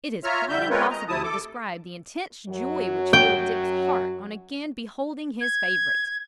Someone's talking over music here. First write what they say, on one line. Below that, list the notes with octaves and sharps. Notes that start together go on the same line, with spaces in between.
It is quite impossible to describe the intense joy which filled Dick's heart on again beholding his favourite.
F4 C#5 E5 A#5 F6
F2 D3 G3 E5 G6
G#3 C4 F4 A#4 B4 C#5
D#5 A#5
D2 C3 E4 A5 D#6
A4 D6
F#2 F#3
G5
G#6